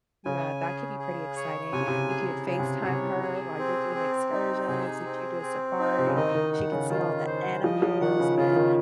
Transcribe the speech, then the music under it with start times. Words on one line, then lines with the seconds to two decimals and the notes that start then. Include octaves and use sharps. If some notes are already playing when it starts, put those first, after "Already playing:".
Yeah, that could be pretty exciting. You could FaceTime her while you're doing the excursions. If you do a safari, she can see all the animals and,
0.25 C#3 G#5
0.62 G#4
0.99 G#4
1.36 C#5
1.73 C3 G#5
1.80 C#3
1.88 C3
2.10 G#4
2.47 C#3 G#4
2.59 C3
2.84 C3 C#5
3.21 G#4
3.58 C4
3.95 C4
4.32 D#4
4.68 C3 G#4
5.05 C4
5.42 C4
5.79 D#4
5.98 C3
6.07 C#3
6.16 D#3 D#5
6.35 D#3
6.53 F#5
6.72 C#3
6.90 D#3 F4
7.26 C5
7.64 F3 D#5
7.82 F3
8.01 D#3 F#5
8.19 C#3
8.37 C#3 F4
8.56 D#3